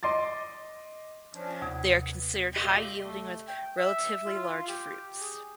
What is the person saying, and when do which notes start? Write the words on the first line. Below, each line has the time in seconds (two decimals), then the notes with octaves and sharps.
They are considered high yielding with relatively large fruits.
0.03 D#5 C6 D6 A6
1.34 F3 C#4 D4
1.62 D#2 C3 B3 G#6
2.56 A#2 A#3 G4 D#5 E5 C6
3.04 A3
3.48 G5
3.77 E5
4.26 F4
4.68 G4
5.20 G#4